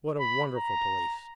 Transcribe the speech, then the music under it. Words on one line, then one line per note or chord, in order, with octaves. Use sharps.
What a wonderful Police!
B5
A#5